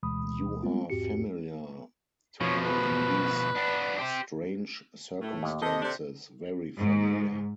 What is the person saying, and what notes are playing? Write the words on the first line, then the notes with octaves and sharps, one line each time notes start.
You are familiar to me in these strange circumstances, very familiar.
D2 B2 E3 G#3 B5 D#6
G3 G#3 B3 C4 F4
E2 G#2 C4 F#4 G4 C#7
B2 F3 C#5
B4
B3 D4
G4 C5
A2 A3
D#2
C3 A4 D#5
C3 D4
G#2